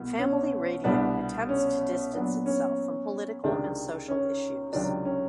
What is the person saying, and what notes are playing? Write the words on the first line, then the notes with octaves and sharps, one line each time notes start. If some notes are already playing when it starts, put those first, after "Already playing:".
Family Radio attempts to distance itself from political and social issues.
Already playing: C2 B2 B3
C#4
C2 B2 G3 B3 D4
C#4
A#2 F#3 B3 D4
C#4
C#2 C3 D#3 G#3 C4 D4
C#4
C#2 C3 D#3 F#3 D4
C#4